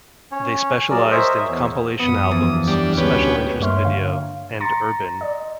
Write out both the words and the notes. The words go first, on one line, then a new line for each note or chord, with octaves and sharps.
They specialized in compilation albums, special interest video, and urban.
C#4 C#5
F#3 G#4 A#4 D5
A#4 C5 C#5 D#5 E5
E2 C#5
F#2 F3 B3 D#6
E2
G3 D4
D2 G#3 B3 C#4 G4
G2 A#3 C#5 E5 C6 F6
D3 F5
A#5 C6 A6 A#6 C#7
D5 D#5